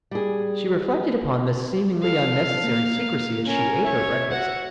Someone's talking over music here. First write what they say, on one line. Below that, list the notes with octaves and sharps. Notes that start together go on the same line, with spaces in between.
She reflected upon this seemingly unnecessary secrecy as she ate her breakfast.
G3 G#4
A4 F5
A#3
C#4 A#4
C#5 E5
F#4 F#5